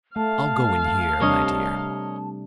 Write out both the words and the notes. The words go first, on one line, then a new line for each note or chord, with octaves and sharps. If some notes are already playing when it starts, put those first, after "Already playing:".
"I'll go in here, my dear."
A3 F5 A5
C3 G3 D4 A#4 C#5 D#5